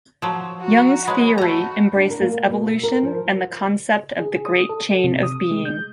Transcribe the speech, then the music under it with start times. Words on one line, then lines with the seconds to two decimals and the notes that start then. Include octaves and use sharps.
Young's theory embraces evolution and the concept of the great chain of being.
0.22 F3 F#3
0.61 F#4 A#5
1.07 G#3 B4 C#5 B5
1.38 A3 F#4 A#5
1.96 D4
2.10 A#4
2.21 A#3
2.49 B2
2.67 E5
2.83 A#4
3.03 F3
4.20 G#4
4.45 D#6
4.69 A4
5.04 C3
5.23 D#6
5.51 G#3
5.65 G6